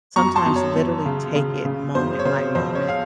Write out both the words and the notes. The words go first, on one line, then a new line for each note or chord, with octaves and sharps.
sometimes, literally, take it moment by moment,
F#2 A#5 C#6
A5 C6
F#2
C#5
F#2
C#3
C#3
C#3
F#2 C5
C#5
C#3 C5
F2 C5
C#5
F5